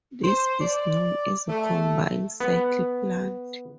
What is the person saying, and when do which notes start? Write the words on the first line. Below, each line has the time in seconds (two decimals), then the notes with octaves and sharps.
This is known as a combined cycle plant.
0.22 C5
0.60 D5
1.47 A3
2.40 B3